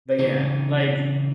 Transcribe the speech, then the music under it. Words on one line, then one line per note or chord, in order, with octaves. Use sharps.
But yeah, like
C#3 E3 C4 D#4